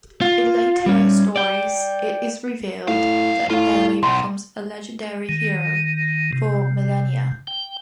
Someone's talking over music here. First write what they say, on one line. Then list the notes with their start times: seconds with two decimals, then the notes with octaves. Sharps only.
In later stories, it is revealed that Baley becomes a legendary hero for millennia.
0.22 F4
0.86 G3 C#4
1.36 D5 G5
2.88 F#2 A2 F5
3.50 A2 F4 F5
4.03 B1 C6
5.29 D#3
6.33 C3
7.47 G5